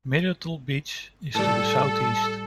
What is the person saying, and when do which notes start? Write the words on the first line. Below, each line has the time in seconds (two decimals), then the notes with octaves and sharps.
Myrtle Beach is to the southeast.
1.34 A2 G3 A4